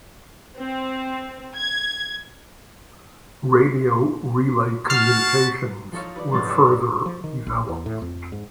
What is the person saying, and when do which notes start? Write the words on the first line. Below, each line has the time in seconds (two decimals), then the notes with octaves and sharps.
Radio relay communications were further developed.
0.57 C4
1.56 G#6
4.90 F#4 A5 F6 C7
5.92 F3 D#4 A4 C#5 F5
6.16 B4 D5
6.32 G#2 F3 C#4 A6
6.49 C#5 D5 E6
7.06 F3
7.24 D#3
7.47 A#1
7.69 E2
7.86 A2
8.02 F2
8.32 G#2